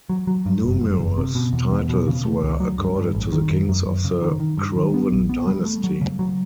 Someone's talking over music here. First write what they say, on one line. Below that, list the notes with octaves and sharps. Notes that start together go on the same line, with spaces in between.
Numerous titles were accorded to the kings of the Crovan dynasty.
F#3
F#3
G2
F#1
F#1
F#1
C3
B2
E2
E2
B2
C#3
A3
C#2
F#3
G2
G2
A1
D#3
F#2
F#2
F#2
C#3
D#3
D#3
G2
D#3
B3
A#1
B3
G3
A3
F#3
C#3
F#3